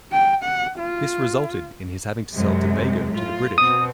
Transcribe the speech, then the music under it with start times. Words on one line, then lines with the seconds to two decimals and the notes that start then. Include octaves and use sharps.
This resulted in his having to sell Tobago to the British.
0.12 G5
0.44 F#5
0.79 F4
2.32 F#2 C3 G#3
3.12 A2 F4
3.58 B2 C4 D#6